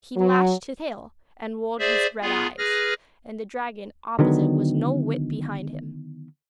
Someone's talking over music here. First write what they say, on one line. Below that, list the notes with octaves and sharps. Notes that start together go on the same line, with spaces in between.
He lashed his tail, and rolled his red eyes, and the dragon opposite was no whit behind him.
F#3
G#4 C5 D5 E5
B3 F4 G#4
G#4 B4 F6 A#6
D3 D#3 F#3 B3